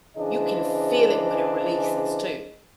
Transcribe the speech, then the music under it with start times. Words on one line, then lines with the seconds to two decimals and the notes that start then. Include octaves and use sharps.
you can feel it when it releases, too.
0.17 C#3 E3 D4 G#4 C5 D#5